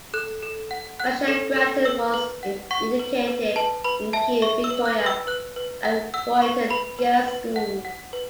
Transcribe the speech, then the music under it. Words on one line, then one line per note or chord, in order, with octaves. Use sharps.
Michelle Grattan was educated in Kew, Victoria at Ruyton Girls' School.
A4 F#6
A4
F#5
F#5 F#6
A4
A4
B4 E6
B4
F#5
F#5 C#6
B4
B4
B4 A5
B4 B5
E5 A5
E5 C#6
E6
B4
F#6
B4
E6
B4 F#6
B4
F#5
F#5 E6
B4 C#6
B4 B5
B4
B4
F#5
F#5
B4